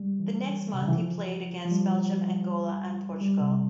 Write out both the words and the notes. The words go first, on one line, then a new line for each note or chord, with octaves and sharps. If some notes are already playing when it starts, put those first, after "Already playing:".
The next month he played against Belgium, Angola and Portugal.
Already playing: G3 G#3
E3
C3
C#3
E3
F3
F3
G3
G3
C3